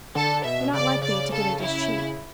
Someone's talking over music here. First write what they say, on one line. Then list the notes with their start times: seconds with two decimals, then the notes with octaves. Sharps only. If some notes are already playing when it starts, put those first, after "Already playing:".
You're not likely to get it as cheap.'
0.15 D3 A4
0.44 B2 E5
0.73 C#3 D5
1.02 C#3 D5
1.32 C#3 A4
1.60 E4